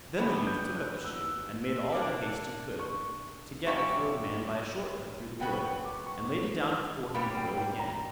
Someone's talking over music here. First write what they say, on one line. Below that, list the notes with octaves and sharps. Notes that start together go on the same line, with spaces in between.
Then the youth took up the shoe, and made all the haste he could to get before the man by a short cut through the wood, and laid it down before him in the road again.
C#3 E3 B3 D4 G4
G6
F#6
E6
B2 A#3 D4 D6
C#6
A#2 F#3 C#4 E4 G4 C#6
C#3 F#3 B3 F#4 G5
G5
D6
C#6
B2 G3 A#3 C#4 G4 B5
G5
G5
A#5